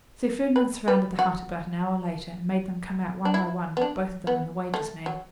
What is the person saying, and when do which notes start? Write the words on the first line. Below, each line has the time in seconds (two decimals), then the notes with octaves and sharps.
Sir Ferdinand surrounded the hut about an hour later, and made them come out one by one--both of them and the wages man.
0.56 B4
0.88 B4
1.19 F#4
3.25 D4
3.34 E4
3.77 B3
3.81 D4
4.27 B3
4.74 A3
5.06 F#3